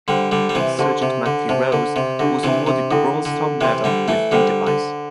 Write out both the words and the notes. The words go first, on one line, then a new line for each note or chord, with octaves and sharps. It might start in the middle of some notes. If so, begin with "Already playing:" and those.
Sergeant Matthew Rose was awarded the Bronze Star Medal with "V" Device.
D3 G3 C5 G5 C6
D3 G3
G3
C3 E3
D3 G4 C5 A5 C6
C3
D3
C3 C5 A5 C6
D3
C3
D3 D4 G4 E5
C3 E3
C3
D3 E4 A4 E5 G5
D3
C3 E3 C5 G5 C6
D3 G3
E3 A3
D3 G3 A4 C5 G5
D3